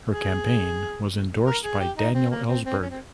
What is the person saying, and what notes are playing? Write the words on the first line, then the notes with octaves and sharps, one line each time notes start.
Her campaign was endorsed by Daniel Ellsberg.
G#4
A#4
G#4
G4
D#4
C4
A#3
C4
C4
C#4
C4